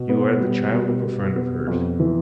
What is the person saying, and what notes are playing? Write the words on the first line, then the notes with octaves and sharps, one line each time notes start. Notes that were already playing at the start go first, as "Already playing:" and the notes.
You are the child of a friend of hers.
Already playing: B2
B3
G3
B2
B2
B3
F2
E3